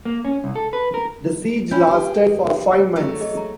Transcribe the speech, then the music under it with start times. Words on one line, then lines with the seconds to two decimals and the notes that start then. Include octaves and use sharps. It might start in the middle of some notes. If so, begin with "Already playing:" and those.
The siege lasted for five months.
0.05 A#3
0.25 C#4
0.44 C2
0.56 A4
0.73 B4
0.94 A#4
1.71 C4 C#4 E4 G#5 B5 G6
1.87 G4 G#4 B4
2.96 F#3 A3
3.20 G#4 D#5
3.37 A#5